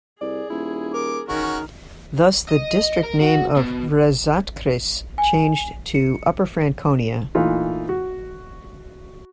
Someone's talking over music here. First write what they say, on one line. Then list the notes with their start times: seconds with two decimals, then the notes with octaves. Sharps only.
Thus the district name of Rezatkreis changed to Upper Franconia.
0.21 C2 G#4 D5
0.50 D#1 E4
0.94 A#4 D6
1.29 D#3 C#4 F#4 G#4 A#4
2.49 D#5
3.04 A#4
3.21 F#4
3.57 B2
5.18 G#5
5.94 C#7
7.35 A#2 E3 A3 D#4 F4
7.89 F#4